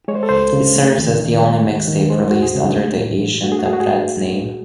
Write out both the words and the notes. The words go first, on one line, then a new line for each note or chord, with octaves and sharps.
It serves as the only mixtape released under the Asian Da Brat name.
G#3 C#5
C5
A4
C#2 C5
C#3
A3
D#2
D#3
G#3 C#5
D#2
D#3
G#3 C5
E2 F#4
G#4
C#3
A3
A2
E3
A3 F#4
G#4
F#4
G#2 G#4
F#4
G#4